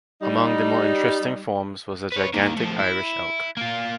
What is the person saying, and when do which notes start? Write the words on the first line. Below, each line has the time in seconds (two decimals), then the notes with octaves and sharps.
Among the more interesting forms was the gigantic Irish elk.
0.22 G3 D#4
2.12 B4 C#5
2.34 D#3 A#3
2.56 A2 F3
2.79 E4
3.57 A#3 F4